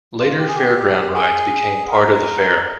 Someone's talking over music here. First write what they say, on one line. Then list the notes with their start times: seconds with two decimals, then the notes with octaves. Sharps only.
Later fairground rides became part of the fair.
0.20 F4
0.38 G4
0.48 G#4
0.56 G4
1.15 G#4
1.92 A#4